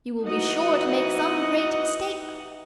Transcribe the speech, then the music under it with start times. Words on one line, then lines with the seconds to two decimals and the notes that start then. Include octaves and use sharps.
You will be sure to make some great mistake.
0.24 E3 D#4 F#4 D#5 F#5